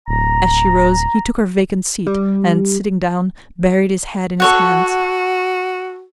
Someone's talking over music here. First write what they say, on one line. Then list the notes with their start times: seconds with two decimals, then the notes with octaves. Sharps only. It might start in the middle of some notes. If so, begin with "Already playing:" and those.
As she rose he took her vacant seat, and, sitting down, buried his head in his hands.
0.08 D1 A#5
2.07 G3
4.40 F#4 A4 C#5 F#5